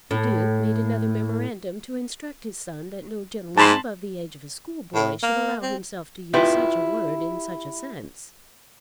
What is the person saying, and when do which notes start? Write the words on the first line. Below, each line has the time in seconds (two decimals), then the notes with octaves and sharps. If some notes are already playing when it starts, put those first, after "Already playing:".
The Duke made another memorandum to instruct his son that no gentleman above the age of a schoolboy should allow himself to use such a word in such a sense.
0.11 A2
3.58 G#2 A5 B5 C6
4.94 A2
5.23 A#3
5.62 C4
6.34 E4 F4 G4 B4 E5